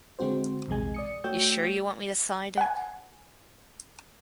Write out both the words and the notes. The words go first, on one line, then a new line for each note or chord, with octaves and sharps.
You sure you want me to sign it?
D3 G#3 C4 F#4 C5
A#1 E2 C3 G#3 G#5
D5 D#6 C#7
A3 F#4 C#5 G5 E6 G6
F#5 G#5